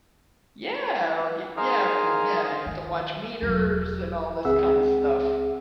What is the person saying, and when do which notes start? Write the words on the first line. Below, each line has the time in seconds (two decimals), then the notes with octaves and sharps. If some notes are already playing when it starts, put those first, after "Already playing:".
Yeah, or, g yeah, from, yeah, you have to watch meters and all this kinda stuff.
1.57 D#4 G#4 A#4 C5 F5
2.66 D#3
3.42 E1 F#3
4.45 C#2 C4 G#4 E5 F#5 E6